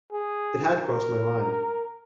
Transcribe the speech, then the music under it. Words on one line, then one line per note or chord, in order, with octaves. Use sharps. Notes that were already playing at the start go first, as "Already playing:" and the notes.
It had crossed my mind.
G#4
A#4